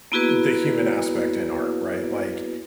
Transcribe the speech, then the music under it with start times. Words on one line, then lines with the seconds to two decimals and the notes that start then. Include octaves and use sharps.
the human aspect in art, right? Like,
0.12 A#3 B3 E4 F#4 G#4 B4